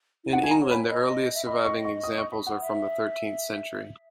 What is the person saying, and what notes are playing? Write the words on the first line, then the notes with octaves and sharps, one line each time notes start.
In England the earliest surviving examples are from the thirteenth century.
E4
D#4 F#5
G#5
A#5
C#5
B5
D#5
E5
D#5 B5
C#6
C#6
D#6
C#6
B5
F#5
E5